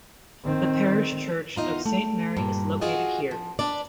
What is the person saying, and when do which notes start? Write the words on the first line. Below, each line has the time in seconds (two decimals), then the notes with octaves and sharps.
The parish church of Saint Mary is located here.
0.44 D#3 C4
1.56 E2 C3 D#4 F4 A#5
1.86 A3
2.37 G2 A#2
2.81 F4 F#4 G#4 C5 D#5 F#5
3.31 F3
3.59 D4 B4 D5